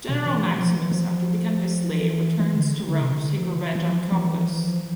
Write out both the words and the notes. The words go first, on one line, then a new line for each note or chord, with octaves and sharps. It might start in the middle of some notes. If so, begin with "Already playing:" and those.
General Maximus, after becoming a slave, returns to Rome to take revenge on Commodus.
B2
E3
F3
F3
E3
F3
E3
E3
D3
D3
C3
D3
F3
E3
F3
E3
F3
E3
F3
E3
F3